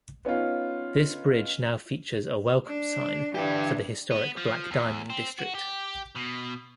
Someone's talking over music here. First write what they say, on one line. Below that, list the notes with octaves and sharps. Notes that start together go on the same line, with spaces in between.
This bridge now features a welcome sign for the historic 'black diamond' district.
B3 C#4 D#4 F4
D4
D3 E3 D4 G4
B3
F3
E2
C4
F#4
G4
B2